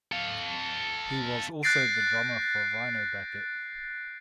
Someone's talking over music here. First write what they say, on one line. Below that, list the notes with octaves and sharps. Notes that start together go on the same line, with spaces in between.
He was also the drummer for Rhino Bucket.
A4 F5
F#6 G6 A6 A#6 C7 D7